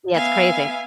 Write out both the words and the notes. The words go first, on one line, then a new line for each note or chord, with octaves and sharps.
Yeah, it's crazy.
B3 E5 F5 G#5